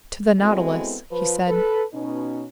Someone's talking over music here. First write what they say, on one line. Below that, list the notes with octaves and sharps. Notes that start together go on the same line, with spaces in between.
"To the Nautilus," he said.
G#3 B3 C4 E4 F#4 A4
F3 B4
A4 B4
B2 C#4 D#4